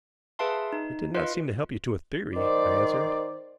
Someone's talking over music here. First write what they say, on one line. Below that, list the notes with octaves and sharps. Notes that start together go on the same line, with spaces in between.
"It did not seem to help you to a theory," I answered.
G#4 B4 E5 F5 A5 C6
D#4
F4 B4 D#5 F5
D#3 C5 D5